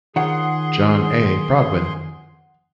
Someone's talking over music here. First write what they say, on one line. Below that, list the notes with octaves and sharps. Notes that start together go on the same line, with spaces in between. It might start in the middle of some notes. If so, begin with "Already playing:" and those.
John A. Broadwin.
D#3 F4 G#4 C#5 F#5 C6